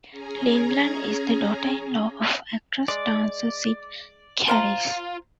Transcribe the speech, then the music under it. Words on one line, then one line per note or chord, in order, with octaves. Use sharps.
Lindeland is the daughter-in-law of actress-dancer Cyd Charisse.
C#4 G#4 G#5 A#5
G#3 D5
F4 C5 F5 A#5